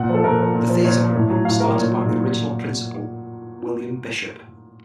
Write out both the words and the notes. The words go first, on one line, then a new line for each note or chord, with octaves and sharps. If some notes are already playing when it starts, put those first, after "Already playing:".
The theatre program was started by the original principal William Bishop.
Already playing: A#2 F#5
F3
A4
A#2 A#4
F3
A#2
F3
A#2 C#5
F3
A2
F#3
A2 F5
F#3 A#4
A#2 C#5
F#3
A#2
F#3